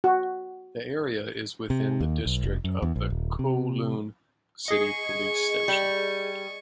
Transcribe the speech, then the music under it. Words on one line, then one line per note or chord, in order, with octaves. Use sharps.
The area is within the district of the Kowloon City police station.
F#4
C3
D#2
B1
F1
F#2
E2
A#1
D#1
C3
G#4 D#5 C#6
G3